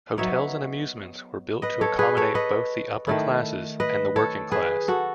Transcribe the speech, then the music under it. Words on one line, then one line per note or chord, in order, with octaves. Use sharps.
Hotels and amusements were built to accommodate both the upper-classes and the working-class.
F#3 B3 D#4 C#5 E5
B4 D#5
A4 C#5
G#4 B4
A4 C#5
B4 D#5
D#3 A3 E4
B4 D#5
A4 C#5
G#4 B4
F#4 A4